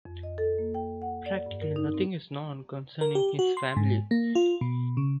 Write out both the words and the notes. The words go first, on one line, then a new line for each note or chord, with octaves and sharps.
Practically nothing is known concerning his family.
F2
D#5
A4
A#3
G5
F#5
D5
G2
A#4
D#4
C4
A#4
G4
F#4
C6
G#2
A#3
F4
B2
C#3